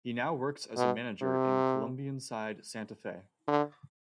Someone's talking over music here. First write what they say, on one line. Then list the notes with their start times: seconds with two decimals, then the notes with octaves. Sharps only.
He now works as a manager in Colombian side Santa Fe.
0.77 B2
1.22 C3
3.48 D3